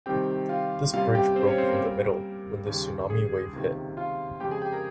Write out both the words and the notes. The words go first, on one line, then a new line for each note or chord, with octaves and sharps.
This bridge broke from the middle, when the tsunami wave hit.
C3 D#3 G3 C4 G4 G5
F4 F5
C3 G3 A#3 C#4 F4 F5
G4 G5
C4 C5
C#4 C#5
C4 C5
A#3 A#4
A#2 G3 A#3
D#2 C#3 G3
G#4
C#2 C3 D#3 A#3
F4 F5
F2 C#3 G#3 G4 G5
G#4 G#5
G4 G5
A#4 A#5